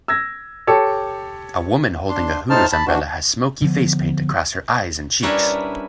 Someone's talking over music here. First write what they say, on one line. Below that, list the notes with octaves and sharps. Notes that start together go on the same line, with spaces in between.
A woman holding a Hooters umbrella has smokey facepaint across her eyes and cheeks.
E6 G#6 A#6
G4 A4 C#5
D4 C6
A2 D#4 C5 A5 F6
A5 B5
E3 D4 F#4
D3 F3 B3
G3 C#4 D4 E4 A#4 B4